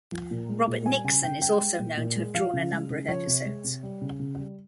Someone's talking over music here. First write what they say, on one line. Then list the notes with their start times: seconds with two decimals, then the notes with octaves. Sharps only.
Robert Nixon is also known to have drawn a number of episodes.
0.12 F3
0.31 A#2
0.49 G#3
0.67 A#2
0.86 G3 G#5
1.04 C#3 G#5
1.23 C#3 G5
1.42 G3 G5
1.61 G#3
1.79 A#2
1.97 A#2
2.16 G#3
2.34 F3 F5
2.53 C#3
2.72 G#3
2.90 C#3
3.08 F3 C#5
3.27 C3
3.46 G#3
3.64 C3
3.83 G3
4.01 C#3
4.20 C#3
4.39 G3